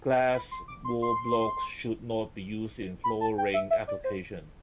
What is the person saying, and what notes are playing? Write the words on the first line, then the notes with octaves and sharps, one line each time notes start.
Glass wall blocks should not be used in flooring applications.
B5
C6
D6
C6
C6
B5
A5
G5
E5
E5
D5
C5